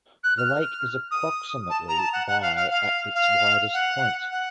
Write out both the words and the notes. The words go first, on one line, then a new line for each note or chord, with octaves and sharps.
The lake is approximately by at its widest point.
F#6
F6
D#6
A5
A#5
A5
F#5
F#5
F5
F5
F5
F5
F#5
F#5